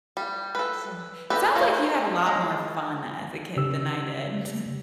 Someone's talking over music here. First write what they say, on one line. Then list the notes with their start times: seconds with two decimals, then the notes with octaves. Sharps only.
So it sounds like you had a lot more fun as a kid than I did.
0.17 G3
0.55 A4 B4
1.30 D#4 G4 A4 B4
1.55 A3 F4 A#4
2.26 G#3 C#4
3.57 C#3 G4 E6